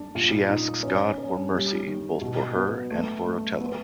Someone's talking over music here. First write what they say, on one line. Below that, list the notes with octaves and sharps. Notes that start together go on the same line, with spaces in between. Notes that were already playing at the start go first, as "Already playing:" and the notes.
She asks God for mercy, both for her and for Otello.
Already playing: D4
A#2
D#4
C#4
C#4
G3
D#3
B2
B3
A3
A3
B3